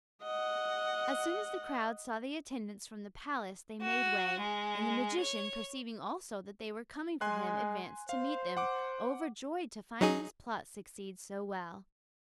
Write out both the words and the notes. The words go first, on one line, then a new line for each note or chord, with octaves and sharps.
As soon as the crowd saw the attendants from the palace, they made way; and the magician, perceiving also that they were coming for him, advanced to meet them, overjoyed to find his plot succeed so well.
D#5 F#5
F#4
G#3
C#5
G#3 G#5 C6 F#6
C5 F5
F#5 D6
F#3 D#4 G#4